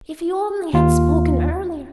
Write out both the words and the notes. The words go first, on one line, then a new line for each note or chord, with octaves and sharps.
If he only had spoken earlier!
D#2 F4